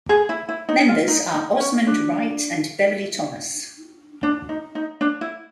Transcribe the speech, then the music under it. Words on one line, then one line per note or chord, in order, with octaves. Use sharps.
Members are Osmond Wright and Beverly Thomas.
G#4
E4
E4
D#4
F4
D#4
D#4
C#4
D4
D4
D#4
D#4
D4
E4